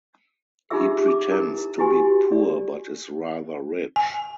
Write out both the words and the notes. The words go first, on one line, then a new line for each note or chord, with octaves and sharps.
He pretends to be poor but is rather rich.
D#4 F4 G4 G#4 E5 E6
D6
D#4 E4 A#4
E4 F#4 G4 B4 G#5 C6
D5
G#5